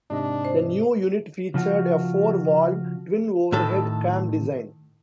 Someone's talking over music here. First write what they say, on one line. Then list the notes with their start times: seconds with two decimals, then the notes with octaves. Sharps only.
The new unit featured a four-valve, twin overhead cam design.
0.10 G#2 C3 D4 D#5
0.45 C5
1.54 C#3 F3 F4 F#4
3.52 A2 D#3 A4